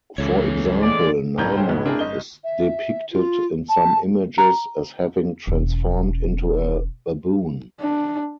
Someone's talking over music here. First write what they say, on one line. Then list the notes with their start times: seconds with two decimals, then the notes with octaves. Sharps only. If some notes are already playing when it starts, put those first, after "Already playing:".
For example, Narmer is depicted in some images as having transformed into a baboon.
0.18 C#2 E3 A4 C#5
0.82 G#3 D5
1.38 F#1 C2 A2 A#5 G6 G#6
1.57 D#1 G#3 C#4 A4 C5 G5
1.68 G#2 B2
1.85 A3 C4 D4 E4 G#4 A#4
1.99 G1 D#5 G7
2.43 E5
3.11 F4
3.69 A5
4.38 A#5
5.47 E1 C#4
7.81 D4